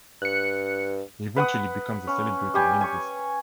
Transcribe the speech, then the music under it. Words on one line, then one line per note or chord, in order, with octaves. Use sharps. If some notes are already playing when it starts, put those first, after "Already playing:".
He eventually becomes a celebrated linguist.
G2 F#6 C#7
B4 F#5 D#6
C#4
G3 G4 G#5
G#5 C#6